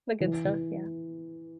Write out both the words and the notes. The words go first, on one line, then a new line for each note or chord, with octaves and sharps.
The good stuff, yeah.
E3
E3